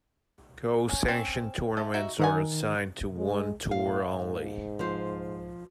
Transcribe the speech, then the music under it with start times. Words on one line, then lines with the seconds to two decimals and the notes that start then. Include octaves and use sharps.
Co-sanctioned tournaments are assigned to one tour only.
0.89 C#4
1.08 C4 C#4
1.77 A3
1.94 D#4 F#4 E5
2.20 D#3 A#4 F#5 G#5
3.17 G#3
3.71 A2 F5
4.12 G#2
4.79 F3 C5